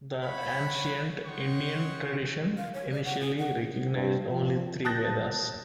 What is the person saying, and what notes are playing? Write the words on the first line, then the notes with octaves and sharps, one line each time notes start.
The ancient Indian tradition initially recognized only three Vedas.
C#5 F#5 B5
C#5 D#5 F#5 G5 C6 C#6
F5
C#5
D5
F#5
G#4
F#5
G2
F3
A5 D#6 F#6 G6 A6 A#6